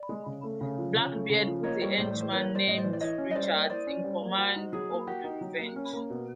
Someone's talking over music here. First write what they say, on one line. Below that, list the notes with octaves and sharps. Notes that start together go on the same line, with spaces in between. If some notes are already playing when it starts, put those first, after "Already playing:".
Blackbeard put a henchman named Richards in command of the "Revenge".
Already playing: D5
G#3
C#3
A3
C#3
F3
C#3
A3
C#3
F3
A#3 C#5 D#5
G3
A2 C5 D5
E3
C5
A#3 B4 C#5
G3
C5 D5
A2 D#5
C5 D5
E3
D5
E4 C#5 D#5
C#4
D#5
G3 C5 D5
A#3
E4 C5 D5
C#4
G3
A#3
F#4 C5
D#4
F#3 G#4
A#3
F#4 G4
D#4
F#3
A#3
C#4
A#3
B2